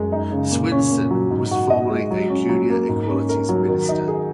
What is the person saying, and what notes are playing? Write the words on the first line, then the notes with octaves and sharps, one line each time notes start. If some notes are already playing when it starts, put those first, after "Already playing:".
Swinson was formerly a junior Equalities Minister.
Already playing: F#2 G#3
D#4
C#3
A#2
C#4
A#2
F#3
G#2
F#4
D#5
G#3
F#3
C#4
F#3
A#3
G#2
C#4
A#4
F#3
D#3
D#4
G#4